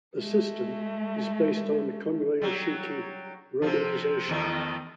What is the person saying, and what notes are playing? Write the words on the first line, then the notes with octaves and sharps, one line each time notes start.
The system is based on Kunrei-shiki romanization.
G#3 A3
F#3 G3
C3 F3
E2 D#3 A3